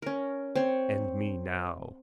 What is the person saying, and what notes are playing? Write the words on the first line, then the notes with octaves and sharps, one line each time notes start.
And me now.
C#4 A#4
C4 C#5